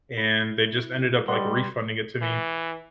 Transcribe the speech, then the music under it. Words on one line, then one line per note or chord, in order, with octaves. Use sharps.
and they just ended up, like, refunding it to me
E4
G3 B4 D5 D#5 F#5 C6
E3